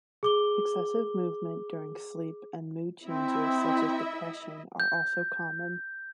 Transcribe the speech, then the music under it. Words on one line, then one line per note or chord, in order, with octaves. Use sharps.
Excessive movement during sleep and mood changes such as depression are also common.
G#4 D6 G7
C4 E4 D#5 E5
G6